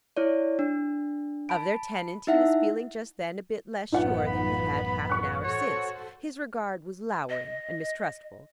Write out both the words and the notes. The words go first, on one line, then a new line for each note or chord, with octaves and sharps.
Of their tenant he was feeling just then a bit less sure than he had half-an-hour since; his regard was louring and mistrustful.
E4 C#5 D5
D4
A5 B5 D7
D#4 E4 E5 F#5
A1 F#2 B3 D#4 F4 F#5
B5
C#6 F#6
F#4 A4 C5 C#5
D#5